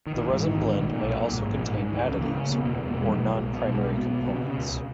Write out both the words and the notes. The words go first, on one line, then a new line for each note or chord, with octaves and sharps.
The resin blend may also contain additives, or non-primary components.
D#3
A#1 E3
G#2
G#2 D#3
A#1
B1
A#2
B1
A#2
G#2
A#1
G#2
G#2
C#2 E3
C#3
C#3 A#3
C#3
E1 B3
B2 A#3
E2 B3
B2 A#3
G#3
B2 F#3
B1 G#3
B1
B2
B2 G#3
B1
B2 B3
B2
C#3
C#3
C#2